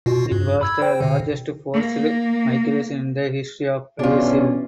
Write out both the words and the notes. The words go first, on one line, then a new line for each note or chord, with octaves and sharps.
It was the largest forced migration in the history of Brazil.
B2 F4 F#4
G2
B5 E6 G#6
C5 G5
B2 D3
A#3
G2 B2 E3 C#4 D4 F4